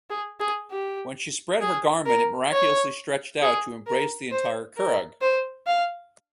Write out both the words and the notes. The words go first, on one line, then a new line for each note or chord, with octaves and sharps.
When she spread her garment it miraculously stretched out to embrace the entire Curragh.
G#4
G#4
G4
G#4
A#4
C#5
G#4
A#4
C5
A#4
C5
F5